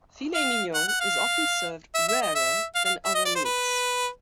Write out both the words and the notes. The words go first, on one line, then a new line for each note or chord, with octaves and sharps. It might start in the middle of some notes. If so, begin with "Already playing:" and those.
Filet mignon is often served rarer than other meats.
F5
F#5
F#5
F5
E5
E5
D#5
E5
F5
F5
E5
D#5
D5
C5
B4